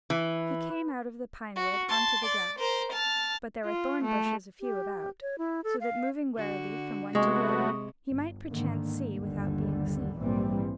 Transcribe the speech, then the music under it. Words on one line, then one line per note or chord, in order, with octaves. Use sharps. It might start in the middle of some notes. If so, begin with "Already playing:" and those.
He came out of the pinewood on to the grass; but there were thornbushes a few about, so that moving warily from one to the other, he might perchance see without being seen.
E3
F#4
A5 C6
D5
A#4 C5
A5 F6
F4
A3
G4
C#5
E4
A4
F5
D3 F#4
C3 G#3 A3 B3 F#4 D#5 C#6 D#6
G1
G#2 D3 D#3 A#3
G1 D#2 D3 G3
A#1 G#2 E3 G3 A#3 C4